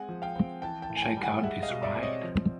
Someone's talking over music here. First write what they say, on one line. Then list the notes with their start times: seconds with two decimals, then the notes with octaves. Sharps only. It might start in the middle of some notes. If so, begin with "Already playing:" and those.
Check Out This Ride!
Already playing: G#3 C4 F#5 G#5
0.09 F3
0.22 F5 G5
0.36 C4
0.62 E3 G5 A5
0.82 G5 A5
0.90 A2
0.96 G#5
1.02 G5 A5
1.17 G3
1.23 F#5 G#5
1.43 G#3 E5 F#5
1.63 D#5 F5
1.70 B2
1.82 D5 E5
1.96 C4
2.03 C#5 D#5
2.23 F3